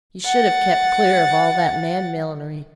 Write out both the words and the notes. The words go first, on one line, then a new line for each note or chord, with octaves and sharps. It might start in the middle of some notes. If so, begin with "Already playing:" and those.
You should have kept clear of all that man-millinery.
F#5 A6